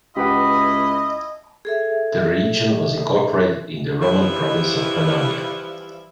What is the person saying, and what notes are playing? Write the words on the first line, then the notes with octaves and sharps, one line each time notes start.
The region was incorporated in the Roman province of Pannonia.
C#2 E4 G4 B4 D#5 F#5 B5
G#4 A4 E5
E3 F3 G3 E4